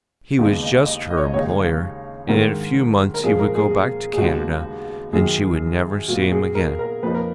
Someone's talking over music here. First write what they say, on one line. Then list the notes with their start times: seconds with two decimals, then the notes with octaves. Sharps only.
He was just her employer, and in a few months he would go back to Canada, and she would never see him again.
0.39 D#2 C#3 G#3 B3 D#4
0.63 D#5
0.86 D#5
1.10 D#5
1.17 C#5
1.25 D#5
1.34 D#2 C#3 G#3 D#4 C#5
2.29 G#2 D#3 G#3 A#4
3.14 A#4
3.23 A#2 F3 G#3 C#4 G#4
3.39 A#4
3.55 G#4
3.71 G#4
4.13 G#4
4.18 D#2 C#3 G#3 B3 D#4 F#4
5.13 F#2 D#3 F#3 G#4
6.08 A#2 F#3 B3 F#4
6.22 F#4
6.32 G#4
6.55 A#4
6.79 A#4
7.03 F2 F3 A#3 D#4 B4
7.15 A#4